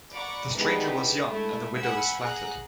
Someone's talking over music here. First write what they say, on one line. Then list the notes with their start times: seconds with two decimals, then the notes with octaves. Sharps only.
The stranger was young, and the widow was flattered.
0.13 D5 F#5 A#5 B5 C#6 D6
0.55 E3 G3 G#3 B3 D4 D#4
1.27 G#3 A3 E4
1.78 F#5 G#5 B5 E6
2.21 G#4 F#5 A#5 F#6